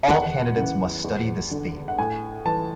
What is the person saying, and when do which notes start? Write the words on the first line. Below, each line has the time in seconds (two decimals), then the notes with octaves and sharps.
All candidates must study this theme.
0.10 E2 F#5
0.57 C#3 E3
1.04 E2
1.51 D3
1.88 F#5
1.99 A2 G#5
2.45 E3 A5